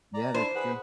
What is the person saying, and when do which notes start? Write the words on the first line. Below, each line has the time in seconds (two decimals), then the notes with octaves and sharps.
Yeah, that's true.
0.14 D5 A#5
0.34 D4 E4 C5
0.55 G#4 B4 F#5